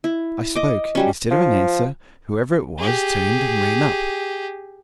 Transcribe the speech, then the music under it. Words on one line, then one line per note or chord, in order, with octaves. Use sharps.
I spoke; instead of an answer, whoever it was turned and ran up.
E4
D#5 D6
F#3 G3 C#4
F3
G4 G#4